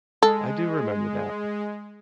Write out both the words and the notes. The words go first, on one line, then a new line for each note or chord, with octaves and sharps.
I do remember that.
G#3 A4